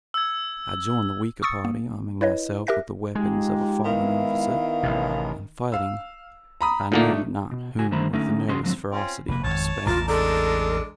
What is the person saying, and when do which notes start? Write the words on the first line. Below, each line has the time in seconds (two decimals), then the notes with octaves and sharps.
I joined the weaker party, arming myself with the weapons of a fallen officer, and fighting I knew not whom with the nervous ferocity of despair.
0.14 E6 G#6
1.42 C#6 D#6 E6 A6 C#7
1.65 A#3
2.21 E4 B4 C#5 D#5
2.67 G4 A#4 E5 F#6 A#6
3.15 G#3 D#4 F4 G4
3.85 D#3 B3 E4 F5
4.83 A1 C3
5.72 F5 E6
6.61 A#5 B5 D#6
6.92 A#2 D3 A3 A#3 D4 D#4
7.51 B2
7.78 C#2 F#4 G#5
7.91 D3 D#3 A3 C5 A#5 B5
8.13 D3 A3 C#4 D#4
8.47 F2 C#3 C#4 F#4 G#4 C6
8.63 G#2 D3 F3 F#3 C4
8.91 C4 C#4 F4
9.28 F1 A#3 B4
9.44 G#1 F2 C#5 A5
9.86 A1 E2 F4 A#4 A5
10.08 G#3 D4 A4 A#4